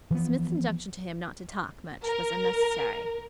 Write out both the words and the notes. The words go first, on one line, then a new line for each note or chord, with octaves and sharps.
Psmith's injunction to him not to talk much was unnecessary.
E3 F3 B3
A#4